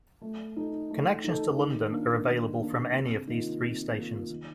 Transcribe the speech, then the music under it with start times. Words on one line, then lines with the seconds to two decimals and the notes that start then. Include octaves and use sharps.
Connections to London are available from any of these three stations.
0.22 A3
0.56 D#4 A4
0.90 A3
1.24 D#4 A4
1.57 D#3
1.92 A#3 D4
2.26 D#3
2.59 A#3 D4
2.94 C3
3.28 D#3 A#3 F4
3.62 C3
3.95 D#3 A#3 F4
4.30 D#3